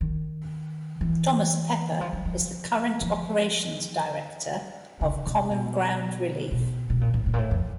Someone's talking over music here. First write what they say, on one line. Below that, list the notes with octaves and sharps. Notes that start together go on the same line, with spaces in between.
Thomas Pepper is the current operations director of Common Ground Relief.
D#3
E3
F3
F#3
F3
F3
C#3
C3
B2
B2
B2
A#2
A2
A2
A#2
A2
F2